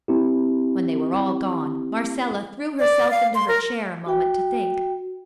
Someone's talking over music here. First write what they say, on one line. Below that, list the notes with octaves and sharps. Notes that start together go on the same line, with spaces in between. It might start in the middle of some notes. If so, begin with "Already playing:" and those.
When they were all gone Marcella threw herself into her chair a moment to think.
C4 E4 G4
D5
F5
C6
A#4
F#4 G5